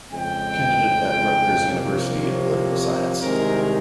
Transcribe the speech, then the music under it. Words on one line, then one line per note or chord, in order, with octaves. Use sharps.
Candidate at Rutgers University in Political Science.
F2 C#3 G#3 G5
C2 C3 F3 A#3 C#5
C2 C3 D#3 G#3 A#4